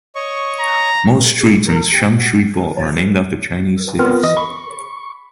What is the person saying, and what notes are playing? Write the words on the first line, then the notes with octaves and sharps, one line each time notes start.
Most streets in Sham Shui Po are named after Chinese cities.
C#5 D#5 C#6
A#5
B3 C4 F4 A#4
E3 D#5 D#6 A#6
B5 C#6